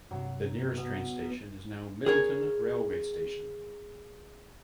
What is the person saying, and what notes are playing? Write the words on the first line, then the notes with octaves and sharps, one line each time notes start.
The nearest train station is now Midleton railway station.
G2 C3 F#3
B2
G#4 A#4 C#5